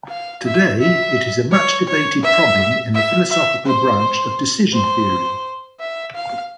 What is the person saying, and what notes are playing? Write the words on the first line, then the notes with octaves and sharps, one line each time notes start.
Today it is a much debated problem in the philosophical branch of decision theory.
F5
E5
E5
C#5
C#5
E5
E5
E5
C5
C5
E5
F5